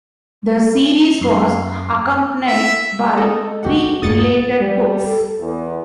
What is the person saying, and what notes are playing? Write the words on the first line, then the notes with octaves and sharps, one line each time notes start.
The series was accompanied by three related books.
F#2 C7
E5
G#3 A4 D#5
F#4 G4 F#5
D#1 G2 A#2 A#3 D#6 A6 C#7
G3
A4
E2